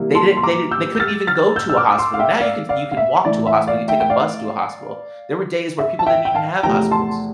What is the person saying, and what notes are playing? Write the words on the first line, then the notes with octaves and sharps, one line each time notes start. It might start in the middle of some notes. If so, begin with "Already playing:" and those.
they did they di they couldn't even go to a hospital, now you can you can walk to a hospital, you take a bus to a hospital. There were days where people didn't even have hospitals.
Already playing: C3 E3 G3 A#3 E4
A5 C6
C6
A#5 D6
E6 G6
G6
F6 A6
F6 A6
E6 G6
E6
D6 F6
C6 E6
F5
E5 G5
D5 F5
D5 F5
F5
E5
A2 E3 A3 E4 D5
E5
D5 F5
E5 G5
G5
D5 F5
E5
A5
E5 G5
G5
F5 A5
E2 C3 F3 A3 E4 G5 A#5
A5 C6